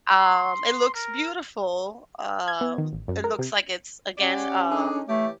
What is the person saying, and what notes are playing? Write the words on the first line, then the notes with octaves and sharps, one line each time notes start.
Um, it looks beautiful. Um, it looks like it's again, um,
C6
A#4
G#6
B3
D#3
A1
F#2
A#4
C3
C#4 G4 D5 F#5
D4 D#4 G#4 A4
E3 A3 G4 C#5